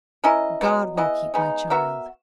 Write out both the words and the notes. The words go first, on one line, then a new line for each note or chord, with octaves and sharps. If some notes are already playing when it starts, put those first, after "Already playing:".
'God will keep my child.'
C#4 E4 A#4 D#5
B2 F#3 B3
B3 E4 G#4 D#5
C#3 G#3 B3 D#4
B3 F#4 A#4 E5